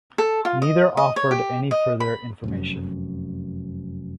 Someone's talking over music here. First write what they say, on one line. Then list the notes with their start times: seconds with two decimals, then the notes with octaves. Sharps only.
Neither offered any further information.
0.18 A4
0.45 F4
0.62 D#5
0.97 D#5
1.16 C#5
1.31 G4
1.71 D#5
2.00 B5
2.44 F1 F#2